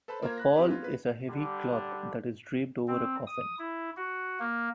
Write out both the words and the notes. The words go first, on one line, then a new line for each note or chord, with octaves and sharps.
A "pall" is a heavy cloth that is draped over a coffin.
A4 B4 C5 A5 B5
A#3 F4 A#4 C5 A#5 G#6
B5 F#6 A#6
C4 G4 B4
B3 F4
B4
D3 G3
C4
D#6
E4
F#4
A#3